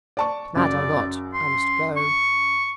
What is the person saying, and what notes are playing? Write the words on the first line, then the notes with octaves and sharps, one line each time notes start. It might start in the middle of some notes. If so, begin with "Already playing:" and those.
"Mad or not, I must go."
D5 A5 C#6
F#2 C#3 D5
C6
C#6